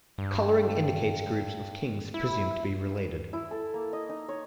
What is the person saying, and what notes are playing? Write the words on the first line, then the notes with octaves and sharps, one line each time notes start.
Colouring indicates groups of kings presumed to be related.
G2
E4
E4
A4
A#3
D#5
D#4
C#5